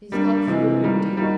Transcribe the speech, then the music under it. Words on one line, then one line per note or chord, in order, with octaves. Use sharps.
He's gone through a good deal.
G3 A#3 D4
C3 E3 G#3
D#3 G3 A#3
G3 A#3 D#4 F#4